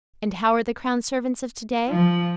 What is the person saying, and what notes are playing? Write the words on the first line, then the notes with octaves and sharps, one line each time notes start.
And how are the crown servants of to-day?
F3